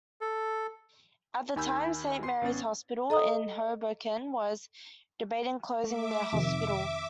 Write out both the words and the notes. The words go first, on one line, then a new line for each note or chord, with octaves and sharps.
At the time, Saint Mary's Hospital in Hoboken was debating closing their hospital.
A4
D#2 D#3 G#5 B5 E6 G6
C6 C7
G#1 B3 C#4 A6
A4 D#5 A#5 D#6
A3 E5 D6
F2 C3 D#3